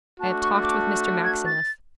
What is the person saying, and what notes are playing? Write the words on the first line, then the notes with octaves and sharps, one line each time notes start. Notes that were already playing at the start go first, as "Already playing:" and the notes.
I have talked with Mr. Maxineff.
A3 D4 F#4 A5
C#6
D6
G#6
A6